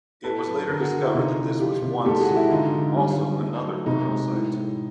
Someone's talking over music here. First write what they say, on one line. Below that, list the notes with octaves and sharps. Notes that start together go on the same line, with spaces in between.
It was later discovered that this was once also another burial site.
A2 A4 B4
F#3
D3 G#4 A#4
F#4 G#4
D3
E4 F#4
C3 D#4 F4
E3
F3 F4 G4
C3
G#2 G4 A4
F#4 G#4
E3
E4 F#4
D3 D#4 F4
D3
G3
G3
A3
F#3
C3 D#4
G#3
A2
A2